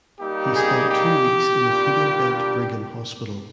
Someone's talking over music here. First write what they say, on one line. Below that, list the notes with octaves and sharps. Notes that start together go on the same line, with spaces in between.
He spent two weeks in the Peter Bent Brigham Hospital.
G3 A#3 D#4 G4
G#4
G4
G3 A#3 D4 F4